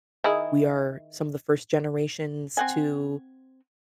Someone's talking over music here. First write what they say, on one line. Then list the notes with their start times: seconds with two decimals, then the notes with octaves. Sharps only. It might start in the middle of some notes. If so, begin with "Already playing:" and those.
we are some of the first generations to
0.24 D#3 E4 G#4
2.57 C4 F#5 G#5